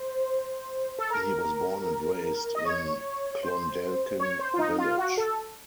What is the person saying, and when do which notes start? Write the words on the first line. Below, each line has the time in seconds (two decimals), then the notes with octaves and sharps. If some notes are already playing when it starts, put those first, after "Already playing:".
He was born and raised in Clondalkin Village.
Already playing: C5
0.99 A4
1.10 A#4
2.55 D#5
2.65 C#5
3.43 C5
4.20 C#5
4.39 C5
4.54 F4
4.59 D#4
4.78 F4
4.97 F#4
5.17 A4